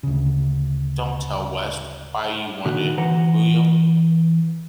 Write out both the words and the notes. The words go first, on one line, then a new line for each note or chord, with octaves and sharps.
Don't tell West why you want it, will you?
D2 C#3
A#2 D3 D#3 F#4
E3 C5 F#5 A#5